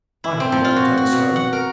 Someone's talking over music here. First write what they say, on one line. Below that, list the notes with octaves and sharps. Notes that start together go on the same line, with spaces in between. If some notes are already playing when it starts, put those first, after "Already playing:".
"I have never done so."
E4
C4
F3
F4
F#4
F#4
B2
F#5
A#4